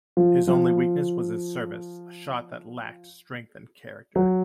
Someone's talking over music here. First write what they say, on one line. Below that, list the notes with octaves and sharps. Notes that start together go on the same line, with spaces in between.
His only weakness was his service, a shot that lacked strength and character.
F3
F3
F#3